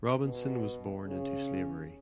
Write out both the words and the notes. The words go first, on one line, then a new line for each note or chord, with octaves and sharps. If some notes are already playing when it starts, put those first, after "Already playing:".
Robinson was born into slavery.
B2
C#3